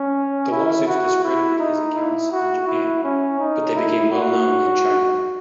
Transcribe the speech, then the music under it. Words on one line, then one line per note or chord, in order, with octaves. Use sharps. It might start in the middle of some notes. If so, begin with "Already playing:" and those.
The lawsuits discredited his accounts in Japan, but they became well known in China.
Already playing: C#4
E4
F#4
E4
D#4
E4
F#4
E4
C#4
D#4
E4
F#4